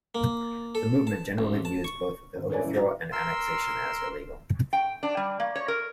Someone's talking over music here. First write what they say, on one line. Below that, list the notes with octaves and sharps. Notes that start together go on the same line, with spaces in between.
The movement generally views both the overthrow and annexation as illegal.
A#3
A4
A5
A1
A5
C#6
G#1
A#4 B4 C#5 D5 G#5
F#2 A2 C#3 E3 E5
F#4 A#5
A#4 C6 E6
G5
D4
G3
A#3
C#5
A#4